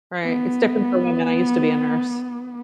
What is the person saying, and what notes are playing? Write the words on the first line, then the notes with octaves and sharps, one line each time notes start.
Right, it's different for women, I used to be a nurse.
B3